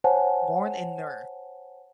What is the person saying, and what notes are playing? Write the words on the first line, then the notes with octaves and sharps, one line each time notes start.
Born in Nr.
C5 C#5 F#5 G#5 A5